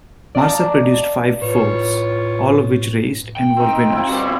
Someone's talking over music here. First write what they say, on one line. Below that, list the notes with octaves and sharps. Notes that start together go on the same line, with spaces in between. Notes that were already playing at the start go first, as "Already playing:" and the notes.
Marsa produced five foals, all of which raced and were winners.
D5 D#5 F5 A5 A#5 D6
A2 F4 B4 C#5
G5
C4 D#4
C4 E4 F4
D3 G3 F#4 G4 B4
B3 C4 E4